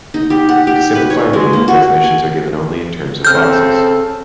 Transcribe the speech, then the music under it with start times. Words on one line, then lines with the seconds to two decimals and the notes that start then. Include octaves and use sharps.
To simplify reading, definitions are given only in terms of boxes.
0.14 D#4
0.30 G4
0.49 F#5
0.67 G4
0.95 B4
1.10 C#5
1.33 G#3
1.53 A#3
1.68 F#4
2.04 G#5
3.25 C#3 C4 A4 F6 G6